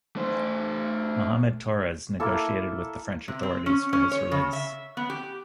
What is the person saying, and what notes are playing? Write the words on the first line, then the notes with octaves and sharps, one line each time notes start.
Muhammad Torres negotiated with the French authorities for his release.
A3 C5
A#3 E4 A4
C3
C4
C#4
C#4
C#5
C#3
E5
B3
G4